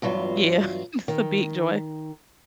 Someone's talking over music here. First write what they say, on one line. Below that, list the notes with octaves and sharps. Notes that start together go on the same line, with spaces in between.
Yeah, just, a big joy.
E2 G2 F#3 F4
D#3